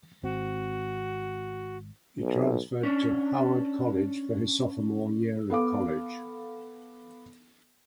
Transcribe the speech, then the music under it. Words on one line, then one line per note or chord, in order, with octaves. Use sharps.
He transferred to Howard College for his sophomore year of college.
G#1 C4 F#4
B1
C#4 D4
B3 A4 F5 D6